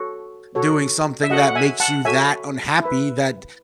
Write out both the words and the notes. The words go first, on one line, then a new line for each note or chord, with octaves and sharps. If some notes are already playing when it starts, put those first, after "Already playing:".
doing something that makes you that unhappy, that
Already playing: F#4 A4 C#5
F#4 A4 C#5
E5
F#4 A4 C#5 D#5 F#5
F#5
E5 G#5
F#5 A5
F#4 A4 C#5 E5 G#5
E4
B4